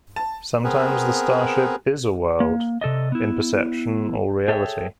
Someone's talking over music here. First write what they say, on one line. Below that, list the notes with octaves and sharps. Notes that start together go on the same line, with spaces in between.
Sometimes the starship "is" a world, in perception or reality.
A5
B3 C4 G#4 A#4 B4
A#3
C3 A4 D5 D#5
B3 E4
G#4 A4 C#5 D#5 E5 G5